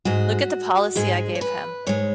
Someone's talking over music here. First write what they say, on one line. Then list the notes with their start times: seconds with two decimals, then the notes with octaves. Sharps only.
Look at the policy I gave him!
0.05 G#2 G#3 F#4
0.96 G#2 G#3 G#4
1.35 C#5
1.41 B4
1.87 G#2 G#3 C#5